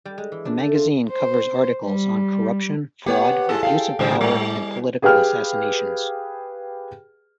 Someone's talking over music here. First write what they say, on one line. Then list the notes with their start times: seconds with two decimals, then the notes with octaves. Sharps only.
The magazine covers articles on corruption, fraud, abuse of power and political assassinations.
0.05 G3
0.18 G#3
0.32 E3
0.45 D4
0.59 A3
0.74 F4
1.09 C5
1.84 G3
3.06 B3 G4 C#5 F#5
3.49 E4 G#4 A4
3.63 F5 G5
3.99 A2 C#3 G3 C5
4.21 G3
5.02 G4 G#4 B4 F5 G5 F6